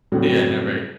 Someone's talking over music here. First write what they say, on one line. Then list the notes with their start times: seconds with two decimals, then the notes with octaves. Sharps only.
Yeah, I know, right?
0.12 A2 C#3 F#3 G3 C4 F#4